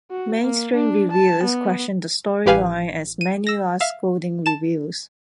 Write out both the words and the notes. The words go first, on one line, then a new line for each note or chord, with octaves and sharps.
Mainstream reviews questioned the story line as many last scolding reviews.
F#4
A#3
D4
A5
B3
A1 G4 B4 F5 G#5
D#7
E6 A#6
E5 F5
A5 E7